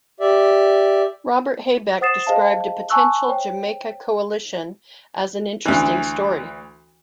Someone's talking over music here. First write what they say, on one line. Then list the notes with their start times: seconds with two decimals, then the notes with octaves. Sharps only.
Robert Habeck described a potential Jamaica coalition as an interesting story.
0.20 G4 D5 E5
2.01 C5 F#5 D#6 A6 C7 E7
2.27 G#4 C5 D#5 F5 A5
2.90 G#5 A5 C#6 E6 F#6
3.28 C5 C#5 G5
5.65 D2 E3